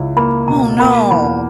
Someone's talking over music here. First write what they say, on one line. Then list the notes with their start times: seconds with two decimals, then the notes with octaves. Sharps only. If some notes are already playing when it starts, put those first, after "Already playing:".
Oh, no.
Already playing: C#2 E4
0.17 A#3 B5
0.48 B2 A#5
0.80 A#3 B5
1.10 E2 B5